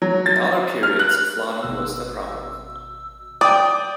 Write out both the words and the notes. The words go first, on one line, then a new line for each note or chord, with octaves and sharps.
In other periods, flooding was the problem.
F#3
A6
F6
F#6
G#1 B2 E6
D5 G5 D6 D#6